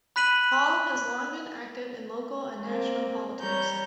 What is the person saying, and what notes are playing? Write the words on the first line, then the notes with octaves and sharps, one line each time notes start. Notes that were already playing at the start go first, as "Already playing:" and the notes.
Hall has long been active in local and national politics.
B5 F#6 B6 D#7 F#7
A#3 C4
G3 C#5 A#5 G6